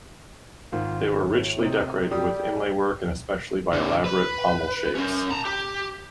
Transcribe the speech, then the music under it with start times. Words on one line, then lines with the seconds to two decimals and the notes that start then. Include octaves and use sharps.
They were richly decorated, with inlay work and especially by elaborate pommel shapes.
0.73 G#1 D#3 F4
1.20 A2
1.58 C3 C4 D#4
2.12 G3 G4 D#6
3.73 A#2 D3
4.06 B4
4.95 C#4 A#4
5.31 A5 A#5
5.45 G4